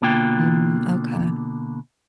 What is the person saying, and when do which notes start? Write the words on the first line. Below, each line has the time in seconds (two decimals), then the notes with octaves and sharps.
Mm, okay.
0.02 B2 D3 A#3 F4 G5